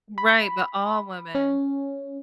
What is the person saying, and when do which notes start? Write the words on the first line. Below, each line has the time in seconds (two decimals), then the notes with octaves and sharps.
Right. But all women.
0.18 B5
1.35 C#4